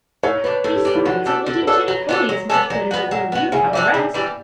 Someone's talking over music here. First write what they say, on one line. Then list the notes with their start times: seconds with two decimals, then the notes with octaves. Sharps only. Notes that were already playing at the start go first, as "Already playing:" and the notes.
Besides, it will do Jinny fully as much good as it will you to have a rest.
0.23 A2 C#5
0.44 G3 D4 B4
0.64 A2 A4
0.75 G4
0.85 G3 D4 G4
0.95 E4
1.05 D3 F#4
1.26 A3 D4 A4
1.47 D3 A4
1.62 B4
1.67 A3 D4 A4 C#5
1.88 F#3
2.09 B3 D4 A4
2.29 F#3
2.49 B3 D4 A4
2.70 F#3 D5
2.91 B3 F#4 F#5
3.07 G5
3.11 F#3 F#5
3.32 B3 F#4 F#5
3.52 C#3 E5
3.67 D5
3.73 E3 G3 D4 E5
3.94 C#3 G5
4.14 E3 G3 D4